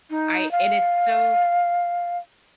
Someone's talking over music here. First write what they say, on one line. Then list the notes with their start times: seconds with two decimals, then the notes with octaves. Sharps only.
I and it's so
0.10 D#4
0.51 F5